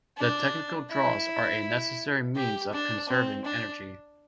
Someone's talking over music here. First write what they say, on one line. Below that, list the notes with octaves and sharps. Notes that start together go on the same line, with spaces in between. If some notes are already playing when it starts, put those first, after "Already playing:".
The technical draws are a necessary means of conserving energy.
D4
E4
G4
D4
C4
D4